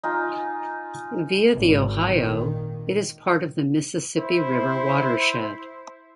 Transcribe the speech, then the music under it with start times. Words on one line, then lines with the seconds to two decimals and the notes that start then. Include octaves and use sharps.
Via the Ohio, it is part of the Mississippi River watershed.
0.03 D#4 F4 G#5 A#5
1.53 G#1
2.03 A#2 D#3
4.16 E4 C5